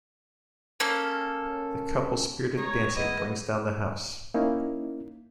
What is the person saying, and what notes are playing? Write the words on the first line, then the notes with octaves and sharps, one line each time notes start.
The couple's spirited dancing brings down the house.
A#3 C#4 A4
G#3 G#4 C#5 A#5
B3 E4 D#5
A#3 C#4 D#4 E4